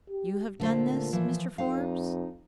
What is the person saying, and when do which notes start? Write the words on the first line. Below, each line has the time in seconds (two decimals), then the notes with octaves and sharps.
"You have done this, Mr. Forbes?"
0.10 G4
0.60 A#2 D3 A3 C5
1.13 E3 F3
1.58 F2 D#4 F5